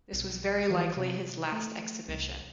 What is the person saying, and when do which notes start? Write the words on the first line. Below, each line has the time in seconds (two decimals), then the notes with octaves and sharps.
This was very likely his last exhibition.
0.13 B1
0.70 E3
0.97 C3
1.52 A3
2.09 C2